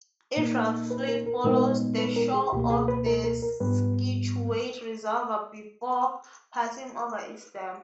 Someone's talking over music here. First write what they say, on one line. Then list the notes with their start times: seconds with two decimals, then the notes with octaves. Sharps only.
It roughly follows the shore of the Scituate Reservoir before passing over its dam.
0.37 A#2 A#3 D#4
0.90 B4
1.08 A#4
1.26 A#4
1.44 A#2 G#3 B3 D#4 A#4
1.98 B4
2.16 A#4
2.34 G#4
2.52 C#2 B2 A#3 G4
2.70 G#4
2.88 B4
3.06 A#4
3.24 A#4
3.42 A#4
3.60 G#2 G3 B3 B4